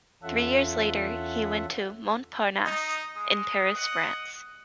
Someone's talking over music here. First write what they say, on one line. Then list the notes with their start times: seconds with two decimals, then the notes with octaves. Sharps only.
Three years later he went to Montparnasse in Paris, France.
0.23 E2 C#4 F4 A4 E5 F#5
2.65 D#4 D#5
3.17 G#3 D#6
3.73 D#5 F#5